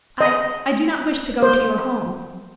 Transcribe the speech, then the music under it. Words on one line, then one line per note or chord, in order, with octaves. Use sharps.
"I--I do not wish to go to your home."
D#5
C5